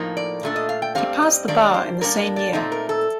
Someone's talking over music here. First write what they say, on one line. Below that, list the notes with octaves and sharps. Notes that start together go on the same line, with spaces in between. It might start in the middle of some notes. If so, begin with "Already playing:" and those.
He passed the Bar in the same year.
Already playing: A2 F3 A#3 D#4
D5
A#2 A3 D4
D#5
F5
G5
G2 D#3 G3 C4 F5
D#5
D#3 G3 A#3 D4 D5
C5
A2 G3 A#3 D4 A#4
D5
A#2 A3 C4 D#4
A#4
A4